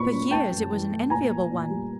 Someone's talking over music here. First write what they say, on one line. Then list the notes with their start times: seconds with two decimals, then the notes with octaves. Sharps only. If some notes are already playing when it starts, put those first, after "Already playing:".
For years it was an enviable one.
Already playing: A#2 A#3 B5 C#6
0.12 C#4
0.31 A3 G5 A5
0.51 F#2
0.71 E3
0.91 A3
1.10 A#2 G#5 A#5
1.30 A#3
1.50 A#2
1.70 G3